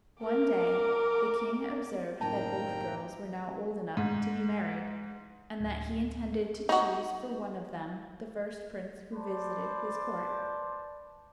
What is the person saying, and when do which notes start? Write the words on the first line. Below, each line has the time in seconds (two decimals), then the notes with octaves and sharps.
One day the king observed that both girls were now old enough to be married, and that he intended to choose for one of them the first prince who visited his court.
0.23 A#4 D6
2.21 F#1 A2 D#3 A#3 C4 G5 A5 A#5
3.97 G#2
5.60 D1
6.69 D#4 F#4
9.14 B4 C5 D5 A5